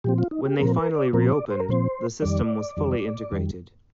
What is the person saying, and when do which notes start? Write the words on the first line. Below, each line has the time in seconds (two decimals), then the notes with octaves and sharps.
When they finally reopened, the system was fully integrated.
0.04 A#2 F3 C4 G4
0.18 F4
0.31 D#4
0.45 G4
0.59 A#2 F3 C4 A#4
0.77 A#4
0.95 D5
1.13 A#2 F3 C4 A#4
1.32 D5
1.51 C5
1.60 A#4
1.69 A#2 F3 C4 C5
2.22 F2 D#3 G3 D5
2.77 F2 D#3 G3
3.31 F2 D#3 G3